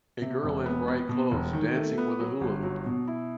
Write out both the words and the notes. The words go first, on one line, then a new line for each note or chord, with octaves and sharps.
A girl in bright clothes dancing with a hula hoop.
C3
E1
B3
B3
B2
E1
D#3
A3
B3
F#3
G1
F#3
B2
E4